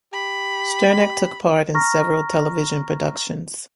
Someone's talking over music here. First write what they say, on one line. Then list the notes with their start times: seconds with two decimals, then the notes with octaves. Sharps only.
Sterneck took part in several television productions.
0.13 G4 B5
1.74 A#5 C#6 F6 A#6